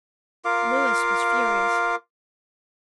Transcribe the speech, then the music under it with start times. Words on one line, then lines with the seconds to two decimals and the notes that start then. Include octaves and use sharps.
Louis was furious.
0.45 F4 A#4 F5 D6